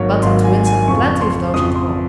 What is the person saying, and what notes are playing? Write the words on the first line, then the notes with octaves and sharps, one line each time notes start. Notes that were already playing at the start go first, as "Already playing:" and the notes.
But the Twins had plenty of those at home.
Already playing: G#1 G#2 F#3 A#3 C#5
G#1 G#2 F#3 A#3 C6
G#5
G#5
F2 C#3 F3 C#6
C6
F2 C#3 F3 D#6
C6